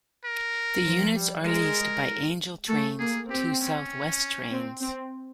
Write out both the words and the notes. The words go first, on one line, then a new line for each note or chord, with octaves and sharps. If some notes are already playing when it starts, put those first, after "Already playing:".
The units are leased by Angel Trains to South West Trains.
A#4
F3
G3
G#3 A#4
A3 A4
A#3 G#4
C4 G4
C#4
C4
C4